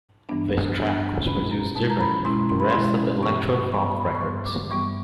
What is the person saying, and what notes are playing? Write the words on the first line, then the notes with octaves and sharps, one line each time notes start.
This track was produced differently from the rest of the electro-funk records.
G2 E3 G3 B3 D4
G2 E3 G3 B3 D4
B2 G#3 C#4 E4 B5
A#5
B2 G#3 C#4 E4 A5
A#5
B5
B2 G#3 C#4 E4 C6
C6
B5
B2 G#3 C#4 E4 C6
G2 E3 G3 B3 C#6
C#6
G2 E3 G3 B3 C#6
B5
C#6
G2 E3 G3 B3 C6
D6
G2 E3 G3 B3 C#6